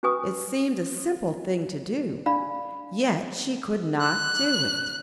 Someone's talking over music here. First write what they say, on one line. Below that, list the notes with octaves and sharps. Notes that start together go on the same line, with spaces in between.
It seemed a simple thing to do, yet she could not do it.
C#4 F#4 B4 G#5 C#6 D#6
D4 D5 F5 B5
F#6